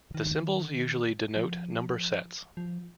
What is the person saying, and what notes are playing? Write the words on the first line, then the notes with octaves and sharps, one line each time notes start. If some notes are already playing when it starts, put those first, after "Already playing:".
The symbols usually denote number sets.
D#3
F3
F3